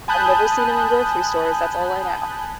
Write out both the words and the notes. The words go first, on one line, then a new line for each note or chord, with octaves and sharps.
I've never seen 'em in grocery stores, that's all I know,
G#5 A5 B5 D#6 F#6 G6